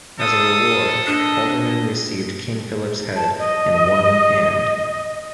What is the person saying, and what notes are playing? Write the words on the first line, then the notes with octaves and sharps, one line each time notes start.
As a reward, Alderman received King Philip's head and one hand.
A4 F5 D#6
D4 D#5
A5
D#5